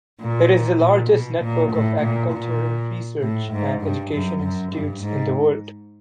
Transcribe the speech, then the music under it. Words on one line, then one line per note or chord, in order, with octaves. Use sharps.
It is the largest network of agricultural research and education institutes in the world.
A#2
A#2
B2
A#2
A2
A#2
A#2
A2
G#2
G2
F#2
F#2
G2
G#2